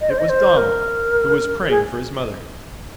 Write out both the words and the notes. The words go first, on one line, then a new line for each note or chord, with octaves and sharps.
It was Donald who was praying for his mother.
D#5
C5
D#5
C5
A#4
G#4